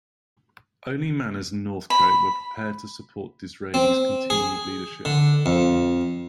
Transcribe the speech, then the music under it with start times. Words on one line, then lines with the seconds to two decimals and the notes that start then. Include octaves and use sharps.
Only Manners and Northcote were prepared to support Disraeli's continued leadership.
1.90 B5
3.74 C4
4.30 G#4
5.05 D3
5.46 F2